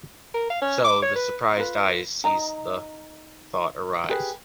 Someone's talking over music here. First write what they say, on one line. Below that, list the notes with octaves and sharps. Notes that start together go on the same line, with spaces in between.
So, the surprised eye sees the thought arise.
A#4
F5
C#4
D6
C#5
B4
F4 B4
D#4 D#5 A#5
G4 G#4 B4